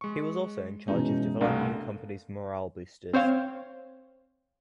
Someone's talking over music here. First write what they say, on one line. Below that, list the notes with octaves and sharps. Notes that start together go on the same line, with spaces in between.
He was also in charge of developing the company’s morale boosters.
G#3 C#6
B2 E3 G#3 C#4 D#4
C2 G2 B2 A3 D4 A#4 F5
C4 C5 C#5 F5